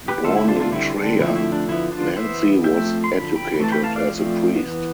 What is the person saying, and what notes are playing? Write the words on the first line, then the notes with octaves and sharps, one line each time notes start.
Born in Treia, Lanzi was educated as a priest.
G4 B4
D3 A3 C4 F4 A4
E4
D4 F4
D4 F4
D3 G3 C4 E4
D4
D3 F3 A3 C4 E4
E4
D4
D3 F3 B3 E4
D4 F4
E3 B3 C5 E5
F3 A3 C4 E5 G5
C6
D3 F3 B5
G5 B5
E3 A3 C4 A5
G5 B5
F5 A5
D5 F5
F3 A3 C4
E3 B3